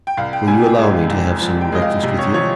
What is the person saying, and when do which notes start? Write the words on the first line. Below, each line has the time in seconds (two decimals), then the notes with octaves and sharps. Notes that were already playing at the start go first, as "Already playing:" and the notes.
"Will you allow me to have some breakfast with you?"
0.07 G5
0.17 C2 F5
0.33 G5
0.47 C3 G#5
0.64 G5
0.79 G#3
1.10 C2
1.42 F3
1.61 G5
1.72 G#3 D#5
1.82 F5
2.03 C3
2.19 C#5
2.34 F3 C#5